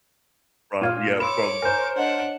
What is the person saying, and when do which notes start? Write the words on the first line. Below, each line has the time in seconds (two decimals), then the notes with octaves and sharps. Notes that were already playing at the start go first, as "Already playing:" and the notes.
from yeah, from
0.81 A#2 F4 F6 G#6 D#7
1.20 C#5 B5 C6 D6 E6 E7
1.62 A#4 C5 G#5 A#5 G6
1.96 D4 C#5 D#5 F#5